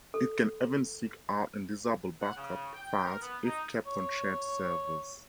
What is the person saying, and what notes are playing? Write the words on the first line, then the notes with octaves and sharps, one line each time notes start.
It can even seek out and disable backup files if kept on shared servers.
A4
F#5
C#3
G5
A#4
B3
D#4
C#5